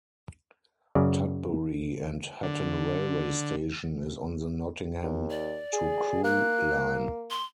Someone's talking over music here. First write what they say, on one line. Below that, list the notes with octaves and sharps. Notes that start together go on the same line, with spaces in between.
Tutbury and Hatton railway station is on the Nottingham to Crewe line.
F#2 C#3 D5
D3
D#2
D5
G#4
A#3 F#6
C6